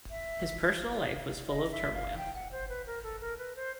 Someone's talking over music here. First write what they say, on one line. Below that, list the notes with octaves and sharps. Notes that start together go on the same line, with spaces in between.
His personal life was full of turmoil.
E5
D#5
E5
F5
G5
F#5
C5
B4
A#4
A4
A#4
B4
C5